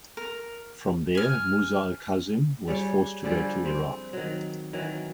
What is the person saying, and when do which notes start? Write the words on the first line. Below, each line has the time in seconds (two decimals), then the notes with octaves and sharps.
From there Musa al Kazim was forced to go to Iraq.
0.17 A#4
1.15 G#5 F6
2.68 G3 G#4 C#5
3.23 D3 F3 G3 G#4
3.65 C4
4.13 D#3 F#3
4.73 D#3 E3 F#3